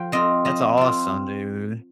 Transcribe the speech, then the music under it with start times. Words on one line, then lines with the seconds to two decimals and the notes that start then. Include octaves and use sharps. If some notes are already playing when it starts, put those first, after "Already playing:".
That's awesome, dude.
Already playing: F3 G5
0.12 C4 F4 D#5
0.45 F3 D#5
0.78 C4 F4